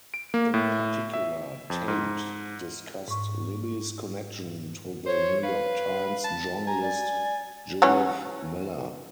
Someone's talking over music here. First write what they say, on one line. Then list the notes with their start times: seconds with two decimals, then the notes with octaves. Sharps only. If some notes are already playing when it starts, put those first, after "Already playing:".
In particular, Tate discussed Libby's connection to the "New York Times" journalist Judith Miller.
0.14 D7
0.34 A#3
0.54 A2
1.14 E5
1.70 F2
1.88 G#2
3.08 G#2 C#6
5.06 C5 C#5
5.43 B4 F5
6.24 A5
6.67 G#5 A#5
6.83 D5
7.82 E3 F#3 C#4